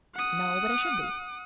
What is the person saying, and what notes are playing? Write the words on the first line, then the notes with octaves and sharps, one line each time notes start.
"No--but I should be."
F#5 D#6